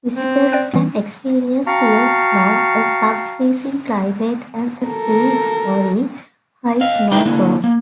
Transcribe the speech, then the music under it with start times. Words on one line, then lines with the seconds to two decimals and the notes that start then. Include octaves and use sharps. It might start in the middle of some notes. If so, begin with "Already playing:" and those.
Visitors can experience real snow, a sub-freezing climate and a three-storey high snow slope.
0.13 C4
0.52 D5 G5 F#6
0.74 E3 G3 B3
1.66 F#4 F5 G5 A5 A#5 C#6
4.87 A4 A#4
6.81 D#5 F5
7.12 D#4 E4 B4 G5
7.26 D3 A#3 E4
7.64 A#3